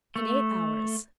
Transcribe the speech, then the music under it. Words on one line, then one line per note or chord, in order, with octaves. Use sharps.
"In eight hours."
A3